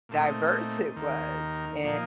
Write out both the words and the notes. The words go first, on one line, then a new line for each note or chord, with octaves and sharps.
diverse it was, and
A#2 A3 C4 D#4
D#2 D#3 A#3
A#2 F3 A#3 D#4